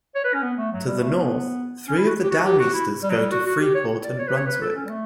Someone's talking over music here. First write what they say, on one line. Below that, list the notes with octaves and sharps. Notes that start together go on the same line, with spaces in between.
To the north, three of the Downeasters go to Freeport and Brunswick.
C#5
B4
C#4
B3
A3
F#3
G3
A3
B3
C#4
E4
F#4
G4
F#4
G4
F#4
E4
G3
F#3
G3
F#4
F#4
G4
C#5
D5
C#5
B4
C#5
B4
A4
C#4
G3
A3